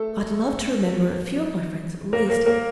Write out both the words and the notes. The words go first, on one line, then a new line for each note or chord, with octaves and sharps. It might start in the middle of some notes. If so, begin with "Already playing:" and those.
I'd love to remember a few of my friends at least.
Already playing: A3 A4
A#3 A#4
A#3 A#4
A#3 A#4